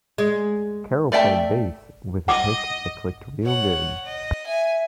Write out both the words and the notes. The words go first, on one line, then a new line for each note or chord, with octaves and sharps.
Carol played bass with a pick that clicked real good.
G#3
A3 D5 E5 G5 A5
D#5 F#5 D6 D#6
C#5 F#5
D#5
E5 G#5